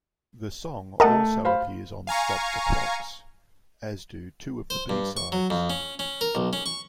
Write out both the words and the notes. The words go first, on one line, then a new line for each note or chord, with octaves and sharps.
The song also appears on "Stop the Clocks", as do two of the B-sides.
A3 A#4 D#5 F#5 A5
C5 F5 B5
F5 G#5 A#5 C#6
C5
G2
C#6
F#3
F2
C#4
C#4
A#4
B1
C#4
C#6